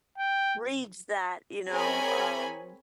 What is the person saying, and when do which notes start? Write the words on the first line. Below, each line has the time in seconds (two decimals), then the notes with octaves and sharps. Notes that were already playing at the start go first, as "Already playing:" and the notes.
Reads that, you know, um
0.18 G5
1.70 C4 G#4 A#4 C#5 G#5 B5